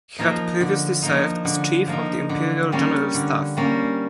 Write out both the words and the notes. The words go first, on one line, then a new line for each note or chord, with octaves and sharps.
He had previously served as Chief of the Imperial General Staff.
F3 A#3 D#4
D3
F3 A#3 D#4
D3
F3 A#3 D#4
D3
G3 A#3 C#4
D3
G3 A#3 C#4